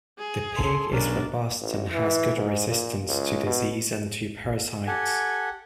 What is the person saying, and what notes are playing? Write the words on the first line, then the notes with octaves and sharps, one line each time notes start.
The pig is robust and has good resistance to disease and to parasites.
G#4
A4 C6
B1 C#4 D4 A#4
A1
E3
G#2
A#2
C#2
B2
G4 A4 F#5 G#5